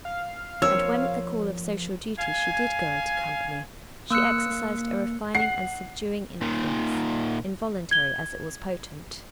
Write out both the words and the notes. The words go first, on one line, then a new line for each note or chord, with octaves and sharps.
And when at the call of social duty she did go into company, she exercised a refining and subduing influence, involuntary as it was potent.
F5
F3 A#3 C4 C#5 E6
F5 G#5
A#3 E6 F#6 C#7
F#5 C7
A#2 D#3
G#6 G7